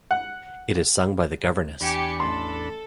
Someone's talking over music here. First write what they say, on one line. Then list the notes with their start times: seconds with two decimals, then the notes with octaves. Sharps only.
It is sung by the Governess.
0.11 F#5
1.81 E2 D4 G4 G#5 B5 C#7
2.20 A1 A4 C6